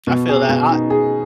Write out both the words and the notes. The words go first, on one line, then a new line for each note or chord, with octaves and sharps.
I feel that. I
B2
G#4
B2
D#4
G#4